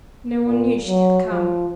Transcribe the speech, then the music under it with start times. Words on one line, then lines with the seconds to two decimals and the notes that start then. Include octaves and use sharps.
No one knew she had come.
0.46 A#2
0.88 F#3
1.29 F3